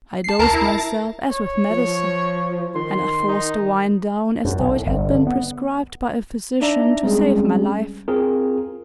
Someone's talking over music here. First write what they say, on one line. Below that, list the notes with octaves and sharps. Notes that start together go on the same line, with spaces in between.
I dosed myself as with medicine, and I forced the wine down as though it had been prescribed by a physician to save my life.
A5 C7
D2 A#4 A5 A#5
E4
C#5
F3
D#3 C6
D#4
F#2
B1
A2
G1
D3
B3
D4 D#4 D5 E5 A#5
G3 G#3 C4 C#4 G#4
C4 F4 G#4 A#4